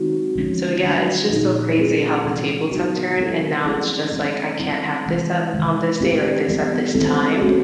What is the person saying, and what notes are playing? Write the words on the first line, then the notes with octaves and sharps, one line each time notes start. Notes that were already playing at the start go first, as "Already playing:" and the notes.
So, yeah, it's just so crazy how the tables have turned and now it's just, like, I can't have this on on this day or this at this time.
Already playing: D#3 G#3 C4 D#4 F#4
D3 F3 G#3 C#4
D3 F#3 A3 D4 F#4
A#2 F3 A#3 D#4 G#4
G#3 C4 F4 G#4
C3 E3 G#3
C#3 F#3 B3 D#4 F#4
G#3 C4 E4 A4
F3 A3 C#4 E4 G#4
D#3 G#3 C4
G3 C4 E4
C3 E3 G#3
C3 D#3 G#3
A3 C4 E4 G4 A#4
E3 G3 B3 E4
D#3 G#3 C4 E4 A4
A3 C#4 F#4